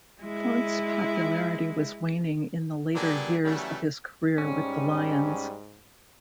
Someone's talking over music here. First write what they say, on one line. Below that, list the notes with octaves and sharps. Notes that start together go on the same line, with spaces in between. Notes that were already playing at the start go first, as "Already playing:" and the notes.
Fontes popularity was waning in the later years of his career with the Lions.
G#3 E4
A#2 G3 B3 D4 G#4 A4
C#3 E3 F#3 G3 A3
G#2 G3 C#4